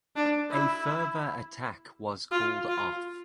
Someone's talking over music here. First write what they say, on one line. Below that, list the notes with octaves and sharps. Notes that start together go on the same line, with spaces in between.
A further attack was called off.
D4
E4
F4
F4